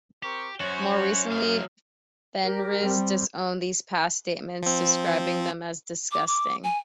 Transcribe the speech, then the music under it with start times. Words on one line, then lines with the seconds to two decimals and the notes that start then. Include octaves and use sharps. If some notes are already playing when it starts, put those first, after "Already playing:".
More recently, Fenriz disowned these past statements, describing them as "disgusting".
0.23 C4 G4 A#4 C#6
0.61 F#2 C#4 F#4 C5 C#5
1.32 F#3 F5
2.43 G4 A#4
2.82 G3 C4
4.63 F3 C4
6.12 D6
6.27 D6
6.64 G#5